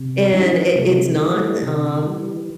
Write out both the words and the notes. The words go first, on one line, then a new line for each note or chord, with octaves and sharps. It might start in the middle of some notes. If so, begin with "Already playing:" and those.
and it it's not, uh,
Already playing: C3
E3 C#4 D#4
C3 G3 A3
G#3
E3
G3 A3
C3
E3 G3